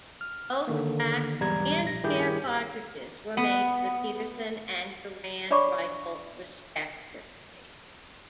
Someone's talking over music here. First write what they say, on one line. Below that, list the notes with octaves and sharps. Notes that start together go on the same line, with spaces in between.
Both waxed and bare cartridges were made for the Pedersen and Garand rifle respectively.
F6
D3 D#3 A#3
B1 E2 G#2 G3 A#5 G#6
A#1 A#6
G2 D#3 E4 G4 G#4 G6
B3
D4 C#5 D5 B5 C#6 D6